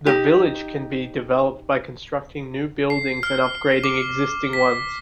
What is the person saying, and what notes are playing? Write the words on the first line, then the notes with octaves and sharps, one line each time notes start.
The village can be developed by constructing new buildings and upgrading existing ones.
D#4 G4
C7
F6
D6
B6